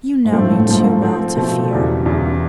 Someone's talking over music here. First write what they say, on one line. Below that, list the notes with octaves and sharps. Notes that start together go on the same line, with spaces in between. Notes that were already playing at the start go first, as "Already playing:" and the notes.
'You know me too well to fear.'
G#2
G2 F3 A3 C4
A2
G2
G2 F3 A3 C4
G#2
G#2
F3 A3 C4
B2 F3 A3 C4
E2 C#3 E3 G3
E2 C#3 E3 G3